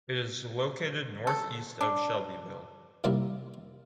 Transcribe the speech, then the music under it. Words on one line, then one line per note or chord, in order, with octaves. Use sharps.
It is located northeast of Shelbyville.
A4
D4
C3 D#3 G3 A#3 E4